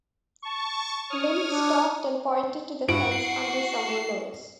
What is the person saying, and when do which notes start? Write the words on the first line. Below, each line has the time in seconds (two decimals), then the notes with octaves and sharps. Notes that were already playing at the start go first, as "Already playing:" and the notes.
Limb stopped and pointed to the fence under some willows.
0.42 A5 C#6
1.10 C#5 D#6 F6
1.49 D4
2.89 G2 E4 F#4 D7
3.12 C7